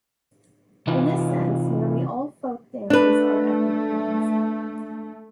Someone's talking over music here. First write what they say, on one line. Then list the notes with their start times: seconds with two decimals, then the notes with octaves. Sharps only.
In this sense, nearly all folk dances are ethnic ones.
0.87 C3 E3 D#4 F4 B4
2.90 A3 D4 B4